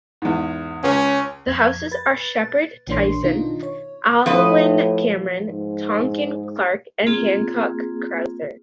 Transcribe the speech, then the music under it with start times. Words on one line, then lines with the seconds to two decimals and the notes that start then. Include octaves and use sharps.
The houses are Sheppard Tyson, Aylwin Cameron, Tonkin Clarke and Hancock Crowther.
0.22 E2 G#2
0.84 C#2 C#4
1.47 F2 G#6
1.91 B4 A6
2.87 A#1 E3 A#3 D4 C#5 C6
3.22 B2 D#3 B3 D4 D#4 F4
3.63 C#5
4.26 A2 F3 B4 D#5
5.50 G#2
7.07 A#3 C4 F4 G#4